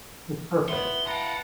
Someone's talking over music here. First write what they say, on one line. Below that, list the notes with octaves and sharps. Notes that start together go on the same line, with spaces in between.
Well, perfect.
B3 E4 C6
B4 F5 F#5 A5 A#5